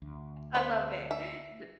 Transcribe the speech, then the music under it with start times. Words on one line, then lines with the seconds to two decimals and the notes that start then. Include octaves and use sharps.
I love it. Do d
0.02 D2
0.55 C4 B4
1.11 E5